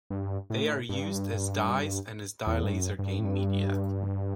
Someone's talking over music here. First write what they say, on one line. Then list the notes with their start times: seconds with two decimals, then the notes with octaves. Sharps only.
They are used as dyes and as dye laser gain media.
0.10 G2
0.50 A2
0.89 G2
2.47 E2
2.64 G2
2.73 F#2
2.99 G2
3.19 A2
3.25 G2